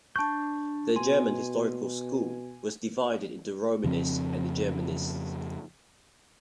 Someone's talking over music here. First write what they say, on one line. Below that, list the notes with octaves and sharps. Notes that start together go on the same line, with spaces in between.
The German Historical School was divided into Romanists and the Germanists.
D4 A5 C#6 G6
B2 G#5 C6
F2 C#3 F3 C4